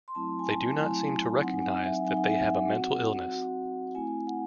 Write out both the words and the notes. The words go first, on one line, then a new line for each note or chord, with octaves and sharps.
They do not seem to recognize that they have a mental illness.
C6
F#3 A3 C4 E4 A5
G#5
A5
F#3 A3 C4 E4 G#5
F#3 C4 D#4 F#5
G#5
F#5
E5
F#3 C4 D#4 G#5
F#5
E5
F#5
C4 F#4
C4 F#4
A3 C4 E4 G#5
F#5